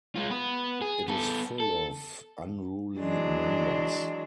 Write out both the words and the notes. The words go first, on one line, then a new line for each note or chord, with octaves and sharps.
It is full of unruly members.
G#3 F4
B3 B4
G#4
B3 A4
A4
E3 F#3 G#3 D4